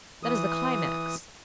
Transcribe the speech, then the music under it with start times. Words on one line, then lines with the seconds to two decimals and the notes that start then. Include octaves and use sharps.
That is the climax.
0.23 E3 D#6